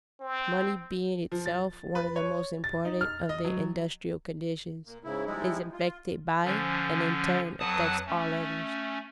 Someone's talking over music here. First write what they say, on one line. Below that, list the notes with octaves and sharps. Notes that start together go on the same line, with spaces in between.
Money being itself one of the most important of the industrial conditions, is affected by and in turn affects all others.
C4
F3
A6
B4
C#5
A6
D#4
F6
D#5
F#3
A#2
G#2 C#3 E4
F3 G3 G#3 D#4 E4
F4
D3 F3 C#4
F2 F#3 B4 F#5 A5 D#6
A3 C#4